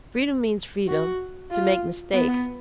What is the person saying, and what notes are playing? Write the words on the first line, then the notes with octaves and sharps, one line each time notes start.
Freedom means freedom to make mistakes.
F#4
F4
B3